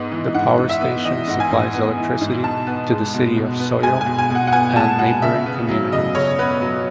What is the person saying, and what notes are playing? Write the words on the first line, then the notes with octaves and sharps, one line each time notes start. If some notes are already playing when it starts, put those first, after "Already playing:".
The power station supplies electricity to the city of Soyo and neighboring communities.
Already playing: G#2 B3
E3
G#2 F#5
G#2
E5
B3
E3 D#5
G#2 F#5
G#5
G#2
B3
E3
G#2
B2 A5
B3
G#3
B2
B2
B3
G#3 G#5
B2 G#5
G#5
B2
F#5
F#5
B3 G#5
G#3 A5
B2 F#5
C#3 E5
B3
F#3
C#3 D#5
C#3 C#5
B3 B4
F#3